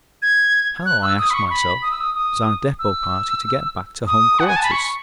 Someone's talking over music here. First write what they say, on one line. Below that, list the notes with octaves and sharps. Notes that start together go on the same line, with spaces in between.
How, I ask myself, was our depot party to get back to home quarters?
G#6
F#6
E6
D#6
B5
C#6
B5
D#6
E6
D#6
D#6
E6
D#6
F#5
G#5
A5
B5
C#6